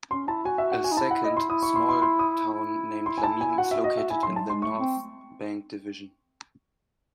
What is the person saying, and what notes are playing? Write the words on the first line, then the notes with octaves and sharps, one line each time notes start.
A second, small town named Lamin is located in the North Bank Division.
C#4 C6
E4 A5
F#4 G#5
E5
F#5
G#5
D#4
E4 A5
F#5
D#5
C6
E4 D#6
C#6
C6
C6
C6
D#6
E4
C6
G#5
A5
G#5
F#4 F#5
E5
D#5
E5
E4 G#5
C6
F#3
A5
G#3 C6
A3 C#6
C4